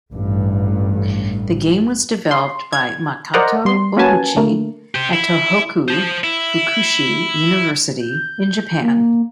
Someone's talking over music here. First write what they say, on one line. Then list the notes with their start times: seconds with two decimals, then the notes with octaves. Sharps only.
The game was developed by Makato Ohuchi at Tohoku Fukushi University in Japan.
0.11 A1 G2
2.31 C6
2.73 G#6
3.34 A#4 C5 D5 D#5 F#5 A#5
3.65 G3 C6
3.97 A#3 C#4 F#4 B4 G#5 A5
4.36 D3 A3 A#3
4.95 G4 C5
5.14 E4
5.88 C5 A5
6.24 E4
8.00 G6
8.82 A#3